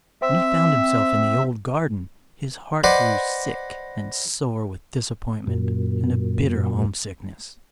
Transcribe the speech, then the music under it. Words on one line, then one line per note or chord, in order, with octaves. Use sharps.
When he found himself in the old garden his heart grew sick and sore with disappointment and a bitter homesickness.
C4 E5
B4 C5 D5 D#5 F#5
F#2 A#2